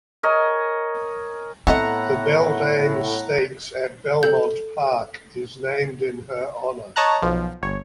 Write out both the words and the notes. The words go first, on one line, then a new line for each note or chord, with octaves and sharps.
The Beldame Stakes at Belmont Park is named in her honor.
A#4 C#5 D#5 G#5
A2 B3 C4 A4 D#5 E5 F#5 A#5
A4 G6
C#5 D#5 A5 A#5 F#6
B1 F3
G1 C#5